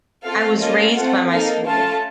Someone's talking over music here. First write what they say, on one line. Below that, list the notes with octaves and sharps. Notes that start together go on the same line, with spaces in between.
I was raised by my school.
C4 F4 A4 F5
A#3 C#4 F4 A4 D#5
A3 C4 F4 A4 F#5
A#3 D#4 A4 F5
A3 C#4 F4 A4 A5